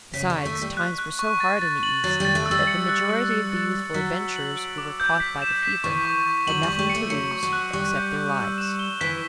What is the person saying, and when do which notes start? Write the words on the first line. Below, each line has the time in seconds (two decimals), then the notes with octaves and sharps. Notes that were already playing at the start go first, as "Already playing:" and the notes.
Besides, times were so hard in the East that the majority of the youthful adventurers who were caught by the fever had nothing to lose except their lives.
0.14 C#3 B6
0.30 G3
0.35 C#6
0.45 A3
0.56 B6
0.62 G3
0.77 F#6
0.98 F#6
1.19 C#6
1.40 A6
1.62 A6
1.83 F#7
2.04 F#3 A6
2.20 G3 A6
2.35 A3
2.46 E6
2.51 G3
2.67 C#7
2.88 F#6
3.09 C#7
3.31 C#7
3.52 A6
3.73 A6
3.94 F#3 B6
4.15 E6
4.36 F#7
4.57 D7
4.78 D6
5.00 G6
5.20 B6
5.42 E7
5.63 B6
5.84 E3 C#6
6.05 C#6
6.26 C#6
6.47 F#3 F#7
6.63 G3
6.68 C#6
6.79 G3
6.90 C#7
6.95 A3
7.10 F#3 C#7
7.31 C#6
7.43 F#3
7.53 F#6
7.73 G3 C#6
7.95 G6
8.16 C#6
8.37 E6
8.58 E7
8.79 G7
9.01 E3 B6